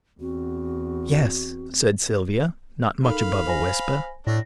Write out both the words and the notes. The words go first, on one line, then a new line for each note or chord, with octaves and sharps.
"Yes," said Sylvia, not much above a whisper.
E2 C4 F#4
D#4 A4 A#4 F5 B5
C5 G#5 A#6
A2 A3 D4 A#6